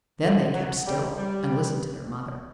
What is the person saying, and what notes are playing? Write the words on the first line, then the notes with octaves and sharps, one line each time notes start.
Then they kept still and listened to their mother.
D3
F#3
G3
G3